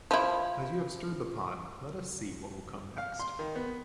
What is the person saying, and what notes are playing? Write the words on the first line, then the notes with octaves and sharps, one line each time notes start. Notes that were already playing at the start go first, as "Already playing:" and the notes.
As you have stirred the pot, let us see what will come next.
F3 E4
F5
C6
D#3
B3